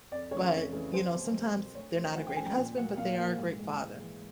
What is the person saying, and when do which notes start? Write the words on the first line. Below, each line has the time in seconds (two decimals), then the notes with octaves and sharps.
but, you know, sometimes they're not a great husband, but they are a great father,
0.11 F2 D5
0.31 C#3 E3 A3 C#5
0.53 F2
0.72 C#3 E3 A3
0.93 C2 C5
1.13 B2 F#3
1.33 C2
1.55 B2 F#3
1.75 D2 C#5
1.95 C#3 F3 A3 C5
2.15 D2 F#5
2.27 G5
2.36 C#3 F3 A3 G#5
2.46 G5
2.57 A#2
2.77 F#3 A#3 F#5
2.97 A#2 F5
3.19 F#3 A#3
3.38 G#2
3.59 E3 G#3
3.80 G#2
4.00 E3 G#3